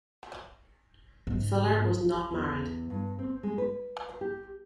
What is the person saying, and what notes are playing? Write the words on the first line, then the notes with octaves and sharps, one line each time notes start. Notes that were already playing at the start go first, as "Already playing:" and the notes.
Fuller was not married.
G#2 C#3
E2
G2
C4
G#3
B4
G4